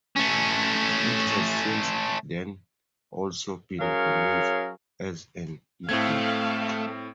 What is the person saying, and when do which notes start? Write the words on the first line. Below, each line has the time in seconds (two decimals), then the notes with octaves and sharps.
It has since then also been released as an ebook.
0.16 A3 C#4
3.80 F#3 C#4 G#4 A#4 C#5 F5
5.89 A2 A3 C4 F5 G#6